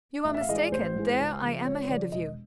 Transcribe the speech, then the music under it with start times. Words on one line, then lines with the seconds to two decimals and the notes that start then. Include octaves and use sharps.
"You are mistaken; there I am ahead of you."
0.24 A1 E5
0.34 E5
0.41 F5
0.48 G#2 E3 G#3 D#5
0.56 D5
0.72 A1 C5
0.95 G#2 E3 G#3
1.19 C#2
1.42 C#3 F3
1.65 C#2 C#5
1.85 C#5
1.88 C#3 F3 D5
2.12 E1 D#5